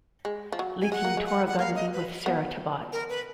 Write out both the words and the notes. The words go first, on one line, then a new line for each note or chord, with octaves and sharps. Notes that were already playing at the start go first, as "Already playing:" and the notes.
Linking Toraghundi with Serhetabat.
G#3
F3
F#3
G#5
G#3 F#5
A#3
G#3
F#5
F#5
A#3 F5
D#5
B4
B3
A#4
B4